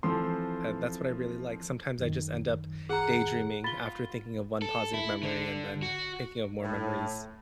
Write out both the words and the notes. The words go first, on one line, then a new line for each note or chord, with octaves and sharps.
uh, that's what I really like. Sometimes I just end up daydreaming after thinking of one positive memory and then thinking of more memories,
E3 F3 C4 A4 C6
F#2 D#3
G#4 F#5 A#5
F4 B5 A6 G7
A4
E4
D3
F#4
A2